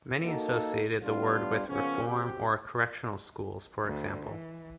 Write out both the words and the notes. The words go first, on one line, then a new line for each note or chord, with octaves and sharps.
Many associated the word with reform or correctional schools for example.
A#3 D#4 F#4 A4
G3 B3 D4 F4
C#3 F3 A#3 B3 C#4
C3 C4 F#4 G4
D2
E3